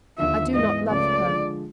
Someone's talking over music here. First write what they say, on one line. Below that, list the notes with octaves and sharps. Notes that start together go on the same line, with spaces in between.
I do not love her.
D#2 D3 F3 E5
G#2 E3 G#3 B3 D#5
C#2 C#3 F3 A3 C#4 D5
D3 F3 G#3